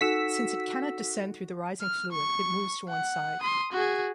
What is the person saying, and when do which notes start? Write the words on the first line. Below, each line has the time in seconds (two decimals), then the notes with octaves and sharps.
Since it cannot descend through the rising fluid, it moves to one side.
0.01 D#4 F#4 A4 E6 B6 C#7
1.81 F6
2.12 C#6
2.89 F#5
3.41 C6 D#6
3.73 F#4 G#4